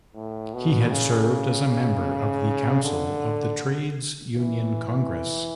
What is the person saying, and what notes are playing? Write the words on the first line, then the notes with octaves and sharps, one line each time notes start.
He had served as a member of the council of the Trades Union Congress.
A2
B2
C#3
D3
E3